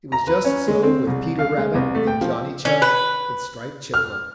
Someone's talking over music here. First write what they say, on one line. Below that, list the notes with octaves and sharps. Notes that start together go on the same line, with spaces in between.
It was just so with Peter Rabbit and Johnny Chuck and Striped Chipmunk.
A#5
B4
C#4
G#3
C4
C2
F5
G#3
C2
A3
G5
F3
C#4
B4
F6